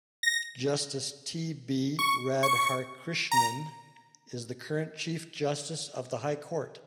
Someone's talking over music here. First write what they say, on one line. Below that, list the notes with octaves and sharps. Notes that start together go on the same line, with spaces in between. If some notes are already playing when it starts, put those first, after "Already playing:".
Justice T B Radhakrishnan is the current Chief Justice of the High Court.
A#6
C#6
C#6
A#5